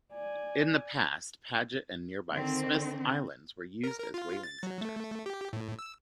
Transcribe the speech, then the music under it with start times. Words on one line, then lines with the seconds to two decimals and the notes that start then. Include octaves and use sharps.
In the past Paget and nearby Smith's Island were used as whaling centers.
0.13 D5 G#5
2.31 D3 D#3 C4
3.84 A#4
4.00 A#4
4.14 F4
4.43 A6
4.63 F#3
4.81 A3
5.26 G4
5.53 A2
5.79 E6